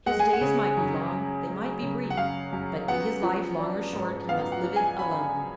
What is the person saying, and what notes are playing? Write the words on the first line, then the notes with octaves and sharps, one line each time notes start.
His days might be long, they might be brief; but be his life long or short, he must live it alone.
G#3 F#5
G#5
F#5
C#3
F#2
F#2
G#3
C#3
F#5
F#2 F5
F#2
B3 F#5
F3
D4
G#2
B3 F5
F#5
F3
G#5
D4 B5